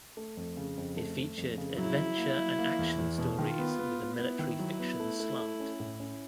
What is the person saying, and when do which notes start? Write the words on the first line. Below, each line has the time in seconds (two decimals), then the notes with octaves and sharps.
It featured adventure and action stories with a military fiction slant.
0.17 A3
0.37 F2
0.57 C#3
0.77 F2
0.97 A3
1.18 A3
1.37 F2
1.58 C#3
1.78 F#3 E4
1.98 F#3
2.18 A#3
2.38 F#3
2.58 A#3
2.79 E2
2.98 E2
3.18 B2
3.38 D#3 F4
3.59 B3
3.79 B3
3.99 B3
4.19 B3 E4
4.39 D#3
4.59 F#3
4.79 B3
5.00 A3
5.20 A3
5.40 A3
5.60 C#4
5.80 A2
6.00 C#4